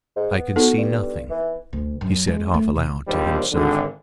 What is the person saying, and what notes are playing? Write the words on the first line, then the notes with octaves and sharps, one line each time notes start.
"I can see nothing," he said half aloud to himself.
G#2
B3
B3 D#4 F#4 A4
G2
E3
D2
F#2
G#3
A3
B2
A#1 D#2 G3 C5
G#1 D3